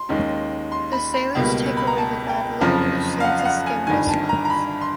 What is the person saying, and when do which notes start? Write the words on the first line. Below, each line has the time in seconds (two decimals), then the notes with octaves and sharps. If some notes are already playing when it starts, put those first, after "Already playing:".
The sailors take away the bad luck which seemed to skim the swells.
Already playing: C6
0.09 D#2 D#3 G#3 C#4
0.72 C6
0.93 B5
1.14 B5
1.35 C#2 B2 G3 A#3
1.77 B5
1.87 A#5
1.98 A5
2.29 G5
2.61 F#1 F2 C#3 F3
3.20 F5
3.24 F#5
3.39 F5
3.45 F#5
3.66 G#5
3.87 G1 G2 D#3 G#5
4.08 A5
4.29 A#5
4.45 A#5
4.50 B5
4.81 C6